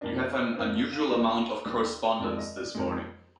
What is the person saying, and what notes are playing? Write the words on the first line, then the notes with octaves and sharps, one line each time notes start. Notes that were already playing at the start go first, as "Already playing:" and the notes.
You have an unusual amount of correspondence this morning.
F2 D#3 A#3 D4 D#5
D5
D5
F2 D#3 A#3 D4 C5
F5
D#2 D#3 G3 D4 D#5
D#2 D#3 G3 D4
F2 D#3 G#3 D5
D5
D#5
D5
F2 D#3 G#3